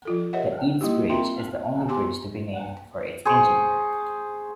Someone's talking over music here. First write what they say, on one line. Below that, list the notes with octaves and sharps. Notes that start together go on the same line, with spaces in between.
The Eads Bridge is the only bridge to be named for its engineer.
F3 F4 A4
G4 A#4 C#5 D#5 E5 F#5
G3 A#3 D#4 E4 G4
C4 F4 A#4 E5 G5 C6
B3 G4 G#5 C6 D6
G#4 C5 C#6